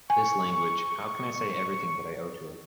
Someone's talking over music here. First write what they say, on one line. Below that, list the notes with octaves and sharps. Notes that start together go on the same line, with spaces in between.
This language, how can I say everything that I owe to it?
G#5 C#6